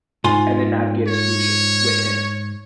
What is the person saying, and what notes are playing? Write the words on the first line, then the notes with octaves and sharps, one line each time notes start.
and then navigate a solution with him,
G#2 F4 G#5 C6
C#5